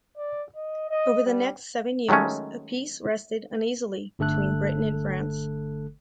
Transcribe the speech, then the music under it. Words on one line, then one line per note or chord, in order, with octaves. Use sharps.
Over the next seven years a peace rested uneasily between Britain and France.
D5
D#5
D#5
G3
D#3 F#3 G#3 A3 C#4
G1 D3 A3 A4 F#6